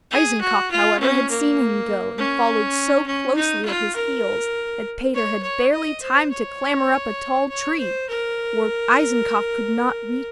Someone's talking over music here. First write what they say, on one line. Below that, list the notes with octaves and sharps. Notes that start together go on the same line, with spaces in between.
Eisenkopf, however, had seen him go, and followed so closely at his heels that Peter had barely time to clamber up a tall tree, where Eisenkopf could not reach him.
G#4
F#4
F4
C#4
A#3
C#4
C#4
D#4
F4
A#4
C#5
C#5
D#5
C5
C#5
C#5
C5
A#4